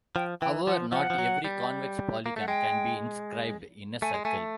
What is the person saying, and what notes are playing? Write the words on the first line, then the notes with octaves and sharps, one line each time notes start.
However, not every convex polygon can be inscribed in a circle.
F3 G5
E3 G5
F3 F#5
F3 F#5
F3
F#3
G3
A#3
A3 F#5
G#3 G5
A3 G#5
G#3
A3 G#5